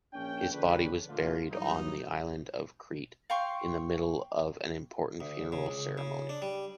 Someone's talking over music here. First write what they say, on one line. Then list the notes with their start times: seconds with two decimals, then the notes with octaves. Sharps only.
His body was buried on the island of Crete in the middle of an important funeral ceremony.
0.13 A#1 C#4 G5
0.53 D3 F3 C#4 D4 G#4 B4
1.08 A#2 D3 A3 F4
1.51 G2 E3 F#3 D#4
3.30 F5 G5 C6 C#6
5.20 D2
5.52 C#3
5.66 C#2
5.98 C#3
6.29 D4
6.42 G3